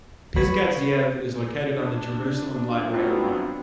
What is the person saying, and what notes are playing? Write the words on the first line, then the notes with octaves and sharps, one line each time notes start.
Pisgat Ze'ev is located on the Jerusalem Light Rail line.
B3 C#5 B5
D4
F#3 B3 C4 D4 F4